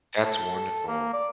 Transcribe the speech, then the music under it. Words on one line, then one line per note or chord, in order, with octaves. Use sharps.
That's wonderful.
A4
A4
A#3
D5